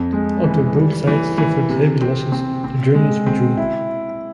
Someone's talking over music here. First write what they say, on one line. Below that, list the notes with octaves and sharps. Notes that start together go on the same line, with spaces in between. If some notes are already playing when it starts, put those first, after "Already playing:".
Although both sides suffered heavy losses, the Germans withdrew.
Already playing: F2
G#3
E3
G3
E3
E3
C3
C4
C4
C4
G#3
C4
E4